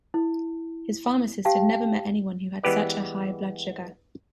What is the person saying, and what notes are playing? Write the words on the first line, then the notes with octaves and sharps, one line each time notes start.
His pharmacist had never met anyone who had such a high blood sugar.
E4
G4 F5 G5 A5
E3 G#3 B3 G4 B4 D5